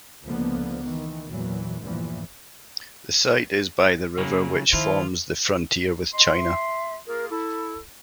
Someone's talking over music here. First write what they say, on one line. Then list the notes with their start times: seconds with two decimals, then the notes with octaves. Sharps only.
The site is by the river which forms the frontier with China.
0.25 C#2 D3 F3 A#3 B3
0.85 D#3 E3
1.30 E2 A#2 E3 F#3
1.82 E2 G2 A#2 E3 F3
4.18 C#3 F#3 A#3
4.73 D#3 F3 E4 F4
6.13 D#5 C6
6.35 E5
7.06 A#3 F4 G#4 A#4
7.30 E4 A4